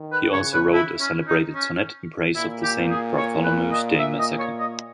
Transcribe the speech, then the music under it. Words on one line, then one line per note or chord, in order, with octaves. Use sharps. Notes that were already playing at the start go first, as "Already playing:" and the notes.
He also wrote a celebrated sonnet in praise of the Saint Bartholomew's Day Massacre.
Already playing: D#3
B4
C#3 C#5
B4
E4
C#4
D#4
C#4
A#2 E4
G4
G#4
C#5
B4
D#5
E5
D#5
C#5
D#5